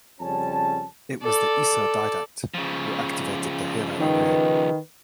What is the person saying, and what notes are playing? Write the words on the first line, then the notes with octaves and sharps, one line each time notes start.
It was the IsoDidact who activated the Halo Array.
F2 C#3 G3 C#4 A5
A4 D5
C#3 F3
D#3 B4